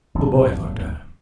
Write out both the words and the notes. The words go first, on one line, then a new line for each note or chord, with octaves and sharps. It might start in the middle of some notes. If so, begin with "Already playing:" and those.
The boy looked at him.
D#1 G#1 D#2 F#3